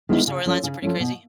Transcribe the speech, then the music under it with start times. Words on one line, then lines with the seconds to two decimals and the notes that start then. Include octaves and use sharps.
Their story lines are pretty crazy?
0.09 D#3 G#3 B3 E4
0.27 C#3
0.46 F3 A3 C#4
0.63 C#3
0.82 F3 A3 C#4
1.00 B2